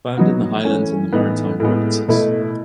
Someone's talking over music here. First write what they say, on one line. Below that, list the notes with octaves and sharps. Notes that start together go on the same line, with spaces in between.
Found in the highlands and the maritime provinces.
F#3 B3 D#4 F#4
E3 A3 C#4
A2 E3 B3 D#4
A2 G#3 B3
B2 A3 E4